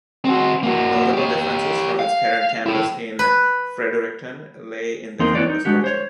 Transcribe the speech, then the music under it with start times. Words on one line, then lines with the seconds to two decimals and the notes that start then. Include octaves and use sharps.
Notable differences from its parent campus in Fredericton lay in the campus culture.
0.25 C4 F#4
0.63 A#3 F#4
1.13 G4 C#5
1.99 F5
2.66 E4 A4
3.19 B4
5.20 E2 A#3 C4 D#4 A#4 C6
5.35 C4 E4 F#4 B4 C#5 D5
5.50 D#4
5.65 G#3 D4 F#4 G4
5.84 C5 C#5